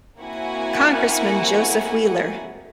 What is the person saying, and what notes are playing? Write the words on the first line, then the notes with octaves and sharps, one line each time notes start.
Congressman Joseph Wheeler.
A#3 C4 E4 F#4 F#5 G#5